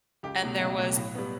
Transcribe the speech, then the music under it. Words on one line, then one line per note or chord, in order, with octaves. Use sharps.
and there was
C#2 G4
B2 F#3 A3
C#2
B2 F#3 A3
A2
G3 B3